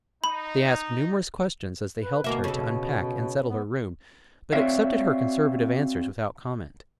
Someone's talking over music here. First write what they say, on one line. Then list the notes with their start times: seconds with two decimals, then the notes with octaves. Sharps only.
They asked numerous questions as they helped her to unpack and settle her room, but accepted her conservative answers without comment.
0.24 D#4 B5
2.01 B4
2.24 D2 B2 A#3 E5
2.44 C#3 A4
3.50 B3
4.53 C4 F#4 C#5 D5 E5 F5